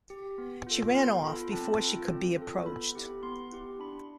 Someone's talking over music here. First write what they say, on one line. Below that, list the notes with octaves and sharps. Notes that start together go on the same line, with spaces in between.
She ran off before she could be approached.
G4
B3
F4 A4
B3 C6
F4 A4 B5
C4 A5
F4 A4
C4
F4 A4
B3 B5
E4 G4
B3 C6
E4 G4
D4 B5